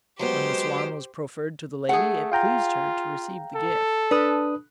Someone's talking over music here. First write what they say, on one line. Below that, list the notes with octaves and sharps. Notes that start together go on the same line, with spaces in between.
When the swan was proffered to the lady it pleased her to receive the gift.
F#3 G#3 B3 G4 C5
A3 G#4 F#5
F4 F5 G5 A#5
A4
D4 B4 D#6